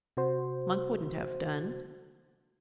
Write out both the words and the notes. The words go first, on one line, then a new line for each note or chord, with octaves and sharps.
Monk wouldn't have done.
C3 F#4 C5